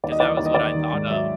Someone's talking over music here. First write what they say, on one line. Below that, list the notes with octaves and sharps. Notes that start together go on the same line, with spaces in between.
'Cause that was what I thought of
D#2 D5
D#5
E3 D5
D#5
D#2 D5
D#5
D#2 D5
D#3
G#2
F#3 E5